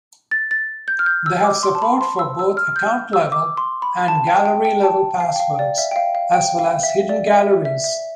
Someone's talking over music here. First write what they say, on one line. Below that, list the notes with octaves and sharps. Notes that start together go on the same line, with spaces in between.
They have support for both account-level and gallery-level passwords, as well as hidden galleries.
A6
A6
G6
F6
G6
E6
D6
C6
A5
B5
C6
E6
E6
F6
G6
E6
D6
C6
B5
A5
G5
G5
G5
A5
F5
G5
F5
D5
E5
G5
F5
F5
G5
F5
E5
D5
E5
E5
E5